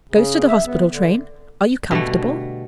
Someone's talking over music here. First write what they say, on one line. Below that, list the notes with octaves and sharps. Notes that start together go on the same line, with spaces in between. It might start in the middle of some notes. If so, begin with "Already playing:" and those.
Goes to the hospital train--'Are you comfortable?
C#3
E5
B3
D3
B2 D3 G3 A3